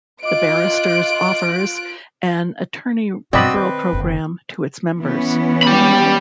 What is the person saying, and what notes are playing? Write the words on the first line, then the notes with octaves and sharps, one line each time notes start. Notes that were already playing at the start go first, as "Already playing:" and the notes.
The Barristers' offers an attorney referral program to its members.
F4 D#5 D6 F#6 D7
G2 B2 C4 F#4 D5 D#5 B5 E6
D#3 B4
F#1 D3
E3 B3 C#4
G4 B5